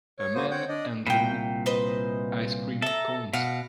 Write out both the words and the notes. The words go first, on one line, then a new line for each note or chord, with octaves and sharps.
A man handling ice cream cones.
C#5
A#3 F#4 C5 D#6
C4 C#5 F#5 G5 G6
D4 D5 D#5
C2 A#2 G5 B5
B4 C5 D#5
A4 E5 A#5
B2 F5 F#5